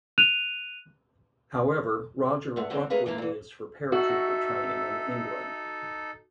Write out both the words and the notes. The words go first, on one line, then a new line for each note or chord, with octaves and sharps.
However, Roger abruptly leaves for paratrooper training in England.
F#6 D#7 F7
G2 A3 F#5
D3 F#3 G3 C4 D4 D#4
A3 G#4 A#4 B4 F5
E3 F3 G#3 A#3 E4
A#2 E3
D#4 F#4 A4 E5